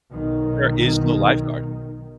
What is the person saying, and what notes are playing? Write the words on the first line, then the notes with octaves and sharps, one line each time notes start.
There is no lifeguard.
B1 D#3